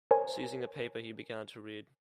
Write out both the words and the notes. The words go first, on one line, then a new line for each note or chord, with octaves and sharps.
Seizing a paper, he began to read.
A#4 C5 C#5 G#5